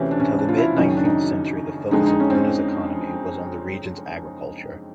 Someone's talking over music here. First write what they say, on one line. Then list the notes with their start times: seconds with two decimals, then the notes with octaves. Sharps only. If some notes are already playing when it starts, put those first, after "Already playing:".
Until the mid-nineteenth century the focus of Unna's economy was on the region's agriculture.
Already playing: D2 C3 E3 C4 C#4
0.11 D4
0.20 C#4
0.39 D4
0.49 F4
0.58 E4
0.77 F#1 F#2 D#3 C#4
0.97 D4
1.05 D#4
1.91 F2 D3 F3 G#3 D#4
2.06 D#4
2.20 C#4
2.30 C4
2.35 C#4